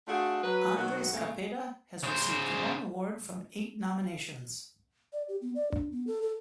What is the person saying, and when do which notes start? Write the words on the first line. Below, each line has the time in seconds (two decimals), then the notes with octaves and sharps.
Andres Cepeda has received one award from eight nominations.
0.08 A3 D4 F4 F#4 G#4 A4
0.43 F#3 B4
0.76 B2 D#3 F#3 F#4
1.12 A#2 C#3 A3
2.03 C#3 C5
5.13 D5
5.28 G4
5.41 B3
5.55 D5
5.71 D4
5.92 B3
6.07 A4
6.22 A4